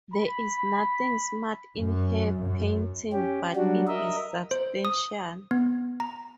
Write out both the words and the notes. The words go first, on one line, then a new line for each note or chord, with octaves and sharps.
There is nothing smart in her painting, but it is substantial.
B5
F#2
F#2
C#4 G4
F#3 G3 D4 F#4
A#4 D#5 E5
C5
D#6
B3
A#5